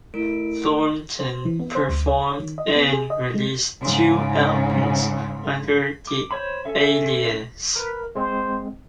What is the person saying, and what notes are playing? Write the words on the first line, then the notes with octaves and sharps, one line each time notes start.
Thornton performed and released two albums under the alias.
A3 E4 A#4 D7
C5
E3
B3
C5
D2
C#5
D#3
D#5
B3
G#4
D#5
G#3
G#2 C#3
D6
C5 C#5 B5
C#4 A4 E5
A#4 B4
G#3 C4 C5